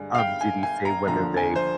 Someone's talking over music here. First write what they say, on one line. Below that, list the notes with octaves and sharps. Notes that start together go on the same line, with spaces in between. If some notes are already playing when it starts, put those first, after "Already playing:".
Um, did he say whether they
Already playing: G2 D3 G#3 G#5
F5
G5
G#5
G#5
A#5
D#2 D3 F3 A#5
G#5
C5